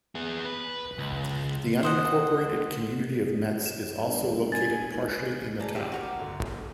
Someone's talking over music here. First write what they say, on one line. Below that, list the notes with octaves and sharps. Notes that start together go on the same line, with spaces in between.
The unincorporated community of Metz is also located partially in the town.
B3 G#4
B4
C#2
C5 D#5 F#5
E7
G1
G#5 A6
G#2
G#4 D5 A5 A#5
G4 D5 E5 F5
F#4 A#4 D5
G1 D2 D3
B1
A3